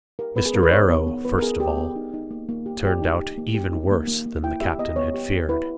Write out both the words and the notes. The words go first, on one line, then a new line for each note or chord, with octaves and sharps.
Mr. Arrow, first of all, turned out even worse than the captain had feared.
G4 A#4
B3 B4
G#4
B3 A#4
B4
D#4 C#5
B3
B3
B3 B4
A#4
B3 G#4
G4
B3
D#4
D#4
A#3
A#3
G4
G4
D#4
G4
A#3
G4
D#4
A#3
A#3
A#3
E4 G5
G4 E5
B3 D#5
B3 C#5
G4
G4
E4 B4